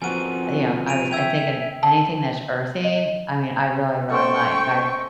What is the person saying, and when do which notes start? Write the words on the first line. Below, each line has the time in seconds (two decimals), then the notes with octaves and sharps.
you know, I was I thinking anything that's earthy, I mean, I really, really like, I've
0.02 F3 B3 C4 F#4 A#4 G#5 D#7
0.88 D7 D#7 F7
1.11 E5 G5 E6 G#6 F7
1.83 A5
2.84 D#5
4.10 A3 C#4 C5 G5 C#6